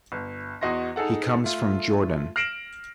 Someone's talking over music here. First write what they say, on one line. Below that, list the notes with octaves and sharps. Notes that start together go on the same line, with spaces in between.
He comes from Jordan.
G1
E2 F#4 D#5 C6 A#6
D#4 G#4 A4 F#5
A3 F4
F6 A#6 C7 D7 E7 F#7